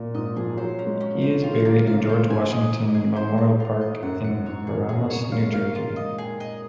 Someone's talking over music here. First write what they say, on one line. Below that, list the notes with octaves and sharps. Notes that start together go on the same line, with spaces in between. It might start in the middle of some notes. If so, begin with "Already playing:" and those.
He is buried in George Washington Memorial Park in Paramus, New Jersey.
Already playing: A#2
G#2 D#5
F3 G#4
F#3 C5
C#4
G#3
C#4
F3
C5
D#3 F4
A#3
C#3 F5
C5
G#2 G#5
D#5
D#5
G#4
C5
C4
F4
D#5
F#2 F#5
F#5
G#2 C#5
G#4
A#2 G#4
C3 C#5
G#3 F5
A#3 F5
F4
D#5
G#4
D#5